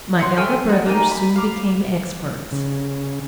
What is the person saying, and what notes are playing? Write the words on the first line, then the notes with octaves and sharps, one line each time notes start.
My elder brothers soon became experts.
C#5 E5 F#5 C6
A3 G5 G#5 F6
D#4 F#4
A#3 D#4 G5 G#5
B5
F5 D6
C#3